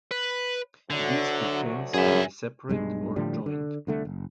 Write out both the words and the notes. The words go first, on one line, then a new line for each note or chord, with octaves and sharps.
These two fins can be separate or joined.
B4
D2 D3 F#3
F#2 C#3 G#4 E5
B1 G2 G#3
A2 D3 F3 G3
D3
C2 D3 A3
F#1